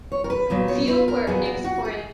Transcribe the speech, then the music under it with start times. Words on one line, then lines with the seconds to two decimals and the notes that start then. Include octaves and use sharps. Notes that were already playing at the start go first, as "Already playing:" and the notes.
Few were exported.
0.12 C#5
0.24 A#4
0.30 B4
0.50 A#2 F#3 B3
0.68 C#5
0.87 B4
1.08 A#4
1.27 A#2 F#3 B3 G#4
1.46 F#4
1.64 F#4
1.85 G#4